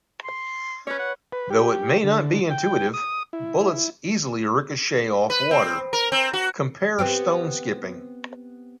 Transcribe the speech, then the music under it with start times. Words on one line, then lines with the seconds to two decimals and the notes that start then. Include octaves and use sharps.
Though it may not be intuitive, bullets easily ricochet off water; compare stone skipping.
0.24 C6
0.87 C#4 B4 C#5
0.99 F#5
1.32 B4
1.50 G4
2.04 D3
2.50 G5
2.94 D#6
3.33 E4
5.30 B4
5.51 C4
5.93 A#4
6.12 C4
6.33 F#4
6.99 B3 C4 G4